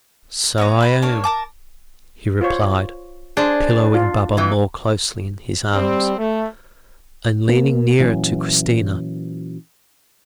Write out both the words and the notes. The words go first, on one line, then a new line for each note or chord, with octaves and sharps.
"So I am," he replied, pillowing Baba more closely in his arms, and leaning nearer to Christina.
B3 C#5 A#5
B4 G5 B5
A#3 D4 C#5
A#4 A5 D6
F4 C5 C#5
D4 G#4 C5 A5
F4
F2 E3
G3 C4
A3
A#3
A#2 E3 F#3 C#4